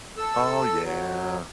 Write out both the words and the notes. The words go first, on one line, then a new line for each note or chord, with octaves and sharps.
Oh yeah.
A4 E6
F#3